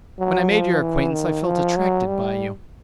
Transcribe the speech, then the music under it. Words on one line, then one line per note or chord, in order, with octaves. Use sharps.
When I made your acquaintance, I felt attracted by you.
F#3
F3
E3
D#3
F3
F#3
G3